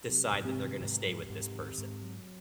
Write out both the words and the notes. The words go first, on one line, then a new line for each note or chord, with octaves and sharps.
decide that they're gonna stay with this person.
C3 F#3
G#2
C3
D#3
G#2
F#3
G#2
D#3
G#2
F#3